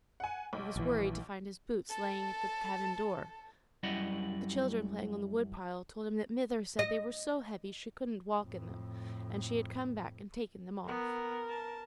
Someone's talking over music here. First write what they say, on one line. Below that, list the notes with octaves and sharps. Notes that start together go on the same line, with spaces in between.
He was worried to find his boots lying at the cabin door; the children playing on the woodpile told him that "mither" said they were so heavy she couldn't walk in them, and she had come back and taken them off.
F#5 G#5
B1
A#1 E3
A4 A5
F#2 G3 E4 D5 D#5 F#5
D#5
F2 A2
B3 A#4
A5